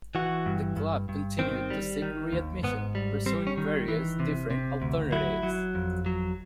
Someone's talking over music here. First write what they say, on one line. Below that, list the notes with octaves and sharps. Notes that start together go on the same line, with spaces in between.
The club continued to seek readmission, pursuing various different alternatives.
E3 F#4
G2
G2
G2
D#3 C4
G3
D#3
D#2
G#2 B3
G3
G3 C4
C#4
D#3
E3
C3
C3
D2
F#3 E4
F#3
F2
F#3